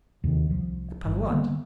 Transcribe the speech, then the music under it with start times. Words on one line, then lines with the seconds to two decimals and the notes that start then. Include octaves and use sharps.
"Upon what?"
0.24 D#2 C3
0.48 C2 F3
1.06 G1
1.30 D3 G3 A#3 B3